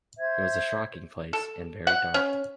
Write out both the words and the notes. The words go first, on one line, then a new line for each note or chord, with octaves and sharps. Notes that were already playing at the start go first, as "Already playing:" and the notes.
It was a shocking place, and very dark.
C5 E5 G#6
A4
F#5
C#4